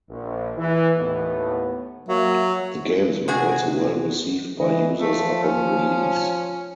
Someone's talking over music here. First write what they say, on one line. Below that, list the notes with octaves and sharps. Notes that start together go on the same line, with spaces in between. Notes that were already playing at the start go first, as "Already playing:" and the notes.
The games were also well received by users upon release.
A#1
E3
D#2 A2 B3
F#3 A#3 E5
C3 F#4 G#4
E3 D#5
F3 A3
C#4